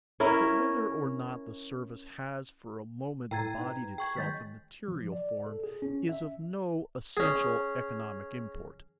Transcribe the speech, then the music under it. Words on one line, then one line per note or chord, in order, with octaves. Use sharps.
But whether or not the service has for a moment embodied itself in material form is of no essential economic import.
C#4 E4 A#4
A2 A4 G5 A#5 G#6 A6
D#4 B4
G#4 G5 C#6 G#6
D#3 F#3 G#3 G6 A6 B6
F3
D5
A4
G#4
C#4
E5
C#4 G#4